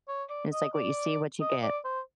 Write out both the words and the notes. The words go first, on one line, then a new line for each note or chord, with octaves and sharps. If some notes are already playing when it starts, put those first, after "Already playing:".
And it's, like, "What you see, what you get."
C#5
D5
D#5
D5
D#5
D5
C5